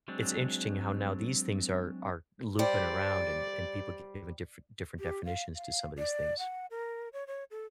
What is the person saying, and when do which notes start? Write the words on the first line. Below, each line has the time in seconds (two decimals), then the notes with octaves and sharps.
it's interesting how now these things are are looping around, and and people giving different different definitions to some of these things.
0.08 F#3 G#3 C4 D4
2.59 G3 C5 D5
4.99 G4
5.25 F5
5.56 F5
5.98 D5
6.39 F#5
6.71 A#4
7.13 C#5
7.27 C#5
7.51 A4